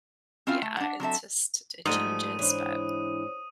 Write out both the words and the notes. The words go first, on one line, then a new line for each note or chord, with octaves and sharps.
yeah, it just it changes, but
C4 C#4 E4 F4 F5
A3
D4 F#5
F#3 C4 A4 E5
G#2 F3 G3 A3 D#6 D#7
E3 D4 C5 C#5